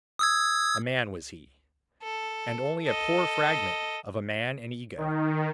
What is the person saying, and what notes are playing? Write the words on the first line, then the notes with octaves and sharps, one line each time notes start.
A man was he, and only a poor fragment of a man and ego.
D#6 E6 G#6
A4
A4 D#5
D#3